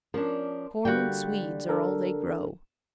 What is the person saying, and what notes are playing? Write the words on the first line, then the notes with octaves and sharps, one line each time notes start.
Corn and swedes are all they grow.
F3 C#4 D4 A#4
D3 G3 A#3 F#4 G5
D4 A4 A#4